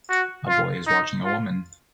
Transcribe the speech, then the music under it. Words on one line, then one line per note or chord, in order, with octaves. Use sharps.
A boy is watching a woman.
F#4
F4
D#4
F4